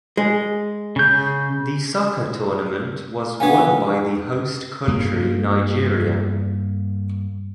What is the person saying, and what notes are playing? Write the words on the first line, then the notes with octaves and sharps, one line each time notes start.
The soccer tournament was won by the host country Nigeria.
G#3
C#3 G6
C#3 B3 D4 F#5 G#5
G2 A#3